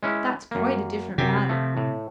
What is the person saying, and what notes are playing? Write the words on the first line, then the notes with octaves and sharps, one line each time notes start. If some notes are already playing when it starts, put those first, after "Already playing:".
"That's quite a different matter."
G#3 C#4 E4
F#2 A#3
F#2 C3 G4
F3 A3
A2